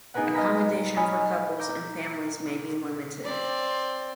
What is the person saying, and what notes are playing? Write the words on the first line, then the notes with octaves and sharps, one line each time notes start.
Accommodation for couples and families may be limited.
B3 D#4 G#4 A#4 B4 F#5
D#5 F5 G#5 A#5 B5
C#5 D#5 G#5 B5 F6
A#5 D6 G6
C4 D5